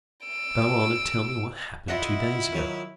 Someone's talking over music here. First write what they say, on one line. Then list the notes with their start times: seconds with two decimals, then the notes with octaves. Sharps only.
But go on and tell me what happened two days ago.
0.25 E6 D7
1.88 E4 F4 D#5 E5 F#5
2.52 D#3 F#3 D#4